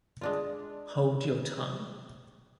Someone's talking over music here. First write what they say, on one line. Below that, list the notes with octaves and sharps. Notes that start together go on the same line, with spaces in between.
Hold your tongue.
G#3 D4 F4